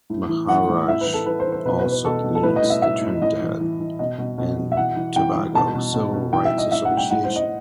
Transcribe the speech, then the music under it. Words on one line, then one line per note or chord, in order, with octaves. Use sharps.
Maharaj also leads the Trinidad and Tobago Civil Rights Association.
A2
E3
E3 F#5
A2
A2 E5
B4
E3
A4
E3 B4
C5
E3
C5
B2 B4
B4
B2
B4
B2 A4
B2
A4
A2 B4
D#5
A2
E5
A2 E5
A2
A2 D#5
E3
E3
E3
B2 D#5
B2
B2
B2
E5
E3 F#5
E3
E3 G5
E3
B2 A5
B2
B2
B2
E3 G5
E5
E3
D#5
A2 E5
F#5
A2
G5
A2 F#5
C5
A2
D#5